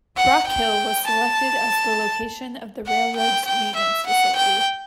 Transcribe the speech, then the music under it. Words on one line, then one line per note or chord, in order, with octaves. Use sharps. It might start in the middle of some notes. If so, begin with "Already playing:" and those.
Rockhill was selected as the location of the railroad's maintenance facility.
F#5
G5
A5
F#5
G5
G5
E5
F#5
G5